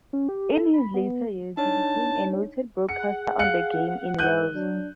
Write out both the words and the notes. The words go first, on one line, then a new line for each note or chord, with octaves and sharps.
In his later years he became a noted broadcaster on the game in Wales.
C#4
G4
A4
B5
B3
D4 D#4 C#5 A5
G#4 F#5 C#7
F5 F#6 C#7
G#2 F#6 G6 D#7
F#3 D4